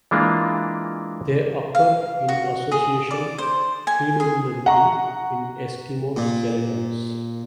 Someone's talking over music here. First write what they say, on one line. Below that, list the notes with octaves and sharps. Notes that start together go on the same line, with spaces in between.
They occur in association predominantly in Eskimo skeletons.
E3 G#3 A#3 D4 F4
F5
F#4
G#4
D5
C5
G#5
G#4
F#5 A#5 C#6
A#2